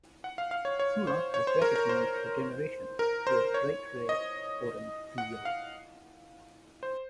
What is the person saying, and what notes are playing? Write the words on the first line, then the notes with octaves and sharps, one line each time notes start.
Fulla was recognised for generations for his bright red, orange and yellow.
F#5
F5
F5
C#5
C#5
C5
C#5
C5
A#4
A#4
C5
A#4
C5
C#5
D#5
F#5
F5
C5